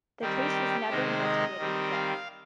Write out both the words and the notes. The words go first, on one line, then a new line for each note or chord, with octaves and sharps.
The case was never investigated again.
D#3 G3 C4 G4
C3 D#3 G#3 D#4 C5
D#5
D#3 G3 C4
F5